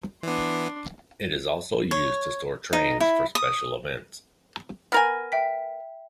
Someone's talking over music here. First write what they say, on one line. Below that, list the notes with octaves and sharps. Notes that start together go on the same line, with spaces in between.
It is also used to store trains for special events.
E3 B3 D4 C6
C#5
D#4
E4
D#6
B3 A#4 G#5 B5 F6 A#6
E5 G5 B6